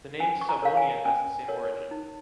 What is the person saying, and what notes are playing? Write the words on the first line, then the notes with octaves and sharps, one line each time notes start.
The name Savognin has the same origin.
C#4 G#5
C#6
A#5
A#4 C#5 F5
G#5
C#4 G#5
A#4 C#5
D#4